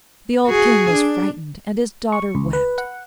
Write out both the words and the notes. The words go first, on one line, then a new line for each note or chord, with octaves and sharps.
The old King was frightened, and his daughter wept.
F#4 G#4
D4
C#6
C#2
B4
F#5